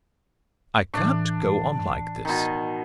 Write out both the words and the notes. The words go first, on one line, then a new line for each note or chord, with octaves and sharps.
I can't go on like this.
A2 E3 D4
B2 D#3